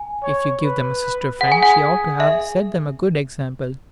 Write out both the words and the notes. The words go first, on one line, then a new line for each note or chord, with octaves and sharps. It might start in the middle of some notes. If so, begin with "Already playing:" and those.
If you give them a sister-friend she ought to have set them a good example.
Already playing: G#5
C#5
B4
G#4 F#5
G#5
F#5
E5